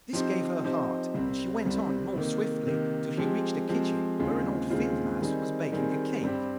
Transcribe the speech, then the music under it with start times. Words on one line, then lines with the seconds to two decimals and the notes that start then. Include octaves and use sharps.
This gave her heart, and she went on more swiftly, till she reached a kitchen where an old field mouse was baking a cake.
0.13 F3 C4 D#4 G4 C5
0.64 F3 C4 D#4 G4 C5
1.14 C2 C3 G3 C4
1.65 C2 C3 G3 C4
2.16 C3 D#3 A#3
2.67 C3 D#3 A#3
3.17 F3 G#3 C4 G4
3.69 F3 G#3 C4 G4
4.19 D#2 C#3 G#3 C4 F4
4.70 D#2 C#3 G#3 C4 F4
5.21 D#3 G3 C4 D#4 G#4
5.72 D#3 G3 C4 D#4 G#4
6.22 G2 G3 C4 G4